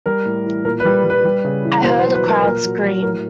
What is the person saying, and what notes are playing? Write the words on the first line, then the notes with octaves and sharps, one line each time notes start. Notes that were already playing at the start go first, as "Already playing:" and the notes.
I heard the crowd scream.
G3 A#4
A2
E3
A#2 A#4
B4
G3
G3
B4
G3
C#3
E3
B2 C5
C5
F#3
B4
F#3 A#4
A#2 A#4
F#3
F#3
A2 A#4